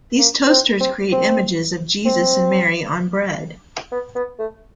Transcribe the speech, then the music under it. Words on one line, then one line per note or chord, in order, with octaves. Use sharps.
These toasters create images of Jesus and Mary on bread.
A#3
C4
C4
C4
C4
B3
B3
A3